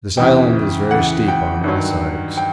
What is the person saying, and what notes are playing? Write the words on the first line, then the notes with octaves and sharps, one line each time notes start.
This Island is very steep on all sides.
E2 C#3 E3 G5
E2 C#3 E3 F#5
G5
G2 D#3 F#3
G5